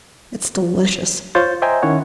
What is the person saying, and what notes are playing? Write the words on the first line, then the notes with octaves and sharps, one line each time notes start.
It's delicious.
F4 C5 C#5 G6 A6
C5 D#5 E5 G5 G#5 A#5
D#3 C#4 E4 C#5 F#5